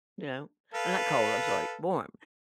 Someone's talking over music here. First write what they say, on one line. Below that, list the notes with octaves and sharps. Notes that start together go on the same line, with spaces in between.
You know? And not cold, I'm sorry, warm.
A4 B4 F5